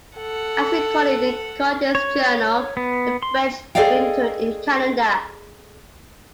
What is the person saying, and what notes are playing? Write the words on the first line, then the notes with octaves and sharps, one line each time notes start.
As recorded in Cartier's journal, the French wintered in Canada.
A4 F#5
C#5
B3
C6
G#4 A4 D5 D#5 F5 G5